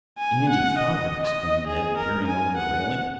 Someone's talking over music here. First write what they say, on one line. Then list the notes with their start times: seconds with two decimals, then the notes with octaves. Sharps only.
"Andy Foger!" exclaimed Ned, peering over the railing.
0.18 G#5
0.49 F#5
0.78 D#5
1.23 D#5
1.67 G#4
1.97 A#4
2.27 G#5
2.57 F#5